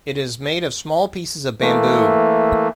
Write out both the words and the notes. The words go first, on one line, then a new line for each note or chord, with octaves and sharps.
It is made of small pieces of bamboo.
E3 A3 A#3